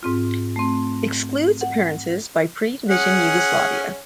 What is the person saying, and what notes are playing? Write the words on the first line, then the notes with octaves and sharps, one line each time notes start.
Excludes appearances by pre-division Yugoslavia.
G#2 C4 F4
A3 C4
F#5
C#4 G#4 F#5